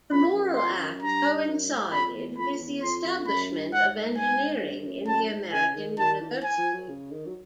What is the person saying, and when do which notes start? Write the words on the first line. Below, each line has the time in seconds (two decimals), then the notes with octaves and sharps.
The Morrill Act coincided with the establishment of engineering in the American university.
0.12 F2 B5
0.34 F#2
0.56 F2 C6
0.79 F#2
1.02 G2 A#5
1.47 F#2
1.70 G#2
1.92 F2 B5
2.15 E2
2.38 F2 B5
2.60 E2
2.82 F2 C6
3.05 F2
3.27 F#2 B5
3.50 G2
3.72 G#2 F#5
4.18 G#5
4.62 G2
4.85 F#2
5.08 F#2 A5
5.30 G#2
5.53 C#3 G#5
5.76 D#3
5.98 D#3 A5
6.21 E3
6.28 D#3
6.35 E3
6.44 G#5
6.58 F3
6.73 F#3
6.89 C#3
7.11 D#3
7.26 F#3